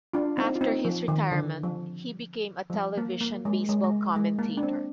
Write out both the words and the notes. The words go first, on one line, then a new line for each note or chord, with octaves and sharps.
After his retirement, he became a television baseball commentator.
D4 F4
C4 D#4
F4
C4 D#4
F3
D#3
D3
F3
F3
G3
A#3
A#3
G#3
G#3
G#3
G#3
A#3
D4
C4